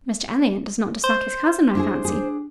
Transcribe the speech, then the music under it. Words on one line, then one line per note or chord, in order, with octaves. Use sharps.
"Mr Elliot does not dislike his cousin, I fancy?"
C5
D4 E4 G#4
D4 G#4